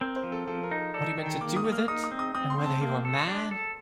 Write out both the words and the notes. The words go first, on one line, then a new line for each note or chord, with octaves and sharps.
What he meant to do with it, and whether he were mad?
C4 A#4
C5
F3
A4
F3 A4
A#4
D#4
A#4
A4 D5
D#3
G5
A#3 D6
D#6
A#3
F6
D#4 D#6
D#6
C4
D#6
C4 D#6
C6
C4
A5
A#3
A4
D4
A4